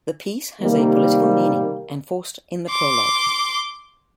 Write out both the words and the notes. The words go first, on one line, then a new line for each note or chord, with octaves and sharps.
The piece has a political meaning, enforced in the prologue.
C3 D#3 G3 A#3
C6 D6